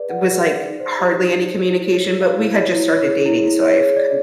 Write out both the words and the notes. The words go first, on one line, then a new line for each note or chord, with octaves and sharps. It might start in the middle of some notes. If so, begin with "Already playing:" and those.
was, like, hardly any communication, but we had just started dating, so I've cou
Already playing: G#4 B4 D5
F#5
G#4
D5
D#4
C5
G4
D#4
D#4
C5
E4
C#5
G#4
F5
E4
C#5
E4
C#5
G#4
E4
E4
C#5
G#4
D5